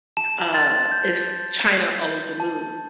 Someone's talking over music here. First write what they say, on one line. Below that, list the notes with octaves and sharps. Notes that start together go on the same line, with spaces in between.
uh, if China owned the moon,
A5 E7
C6 A6
G6
G6
G6
G6
A5